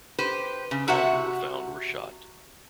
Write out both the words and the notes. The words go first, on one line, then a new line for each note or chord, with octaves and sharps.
All who were found were shot.
G4 B4 C5
C#3
C3 F#4 E5 F#5